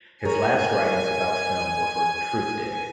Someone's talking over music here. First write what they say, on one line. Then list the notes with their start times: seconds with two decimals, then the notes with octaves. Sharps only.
His last writings about film were for Truthdig.
0.25 G#4 A#4 C#5 G#5